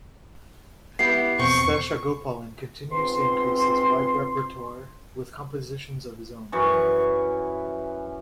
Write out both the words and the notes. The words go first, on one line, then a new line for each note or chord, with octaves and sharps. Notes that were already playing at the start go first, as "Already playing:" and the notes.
Seshagopalan continues to increase his wide repertoire with compositions of his own.
B3 E4 G4 C7
E2 B2 C4 C#6
G#2 B3 C4 F4 C6
F#2 E3 C#6